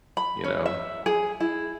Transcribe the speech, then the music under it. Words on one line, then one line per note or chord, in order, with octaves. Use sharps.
You know,
B5
C#4
E5
G#4
E4